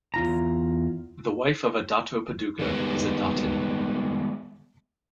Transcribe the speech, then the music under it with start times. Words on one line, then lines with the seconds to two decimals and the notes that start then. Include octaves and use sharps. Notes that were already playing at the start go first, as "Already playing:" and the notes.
The wife of a Dato Paduka is a "Datin".
0.14 E2 F4 A#5
2.59 D#3 G3 G#3 B3